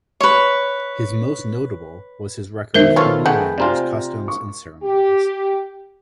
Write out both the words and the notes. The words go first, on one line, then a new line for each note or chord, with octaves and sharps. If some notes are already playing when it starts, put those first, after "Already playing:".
His most notable was his record of "Hindu manners, customs and ceremonies".
B4 C#5
B1 D#3 A#4 C5 E5
F4 A4 B4 C#5 F5
A3 G#4 B4 F#5 G5
C3 C4 F4 D5 G#5 A#5
C#6
G4